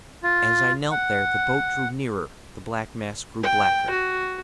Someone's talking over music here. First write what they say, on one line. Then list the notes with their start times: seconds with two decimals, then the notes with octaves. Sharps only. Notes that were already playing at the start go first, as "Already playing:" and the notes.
As I knelt there the boat drew nearer, the black mass grew blacker.
0.24 F4
0.91 F#5
3.43 G5
3.90 F#4